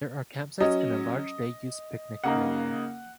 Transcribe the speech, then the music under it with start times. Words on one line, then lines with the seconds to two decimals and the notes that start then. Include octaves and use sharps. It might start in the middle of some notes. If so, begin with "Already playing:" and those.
There are campsites and a large day-use picnic area.
0.60 F#3 C#4 D#5
2.24 C#3 A#3 D#4 F#5